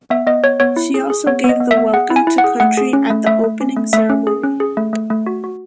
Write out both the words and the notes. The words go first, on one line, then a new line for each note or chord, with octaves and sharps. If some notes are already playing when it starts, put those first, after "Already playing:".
She also gave the Welcome to Country at the opening ceremony.
B3 E5
B3 D#5
B3 C#5
B3 C#5
E4
G#4
G#4
B3 C#5
B3
D#5
B3
E5
B3
G#4 F#5
E4
G#5
E4
F#5
G#4
A3 F#5
G#4
C#4
A3
A3 E5
A3
C#4
A3
A3 E5
C#4
G#4
C#4
G#4
A3
A3
A3
F#4
F#4